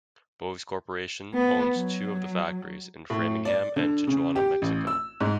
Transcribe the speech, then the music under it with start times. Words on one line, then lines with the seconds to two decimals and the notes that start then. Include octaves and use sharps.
Bose Corporation owns two of the factories - in Framingham and Tijuana, Mexico.
1.34 B3
1.75 F#3
3.10 A2
3.45 D5
3.76 D3
4.07 C#3
4.36 G4
4.62 A1
4.87 E6
5.20 G#2